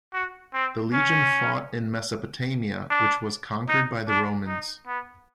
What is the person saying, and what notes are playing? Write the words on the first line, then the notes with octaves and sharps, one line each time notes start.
The legion fought in Mesopotamia, which was conquered by the Romans.
F#4
C4
C#4
D4
D#4
D4
D#4
B3